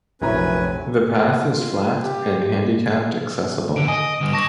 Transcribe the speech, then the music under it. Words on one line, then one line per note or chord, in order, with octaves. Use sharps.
The path is flat and handicapped-accessible.
F1 A#1 F#2 C#4 E4 B4 G#5 A#5
F4
G4
D3 D7
D#5 G#5 D#6
D3 G3 E7
G2 A5 C#6 D6 A#6